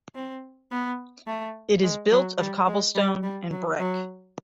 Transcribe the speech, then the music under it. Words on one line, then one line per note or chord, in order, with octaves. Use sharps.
It is built of cobblestone and brick.
C4
B3
A3
G#3
F#3
G3
G#3
G3
G3
F#3
F#3